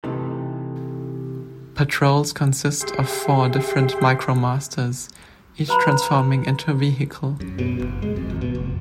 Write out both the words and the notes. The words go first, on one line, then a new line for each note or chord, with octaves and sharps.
Patrols consist of four different Micromasters, each transforming into a vehicle.
C3 E3 A3 D#4 A4
G4 G#4 E5 G5 C6
B4 C5 A#5 B5
F#2
B2
F#1
G#3
F2
G#1
B2
F1